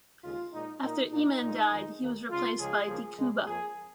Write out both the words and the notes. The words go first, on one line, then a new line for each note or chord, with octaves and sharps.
After Eman died he was replaced by De Cuba.
D#2 C#3 G#3 F4
A#2 G#3 D#4
A#2 A#3 D#4
A#2 A#3 D#4
A#2 G#3
F2 D#3 G#3
D#2 D#3 A#3
C#2 C#3 G#3 F4
C#2 C#3 F3 G#3 G#4
C#2 C#3 F3 A#3
C#2 C#3 G#3
F2 F3 A#3 G#4